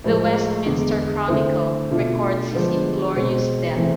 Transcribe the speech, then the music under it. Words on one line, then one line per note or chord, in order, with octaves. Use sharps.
The Westminster Chronicle records his inglorious death.
A2 F3 G#3
E2 D3 G#3 B3 D4
D3 A3 C4 E4
B2 A3 D4 F4
D3 F3 G#3 B3 D4
B2 G#3 C4
E3 A3 C4 E4